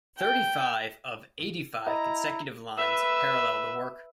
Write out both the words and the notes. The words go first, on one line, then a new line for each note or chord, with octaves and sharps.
Thirty-five of eighty-five consecutive lines parallel the work.
G5
E4 D#5 A#5
B4 E5